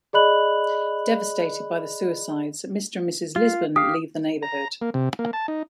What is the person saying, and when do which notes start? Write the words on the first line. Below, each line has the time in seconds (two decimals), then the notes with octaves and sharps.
Devastated by the suicides, Mr. and Mrs. Lisbon leave the neighborhood.
0.13 G#4 D5 D#5 B5 F#6 F#7
3.36 F4
3.76 G4 F5 D#6
4.43 A#5
4.82 A#3
4.94 C3
5.19 A#3
5.33 A5
5.48 D#4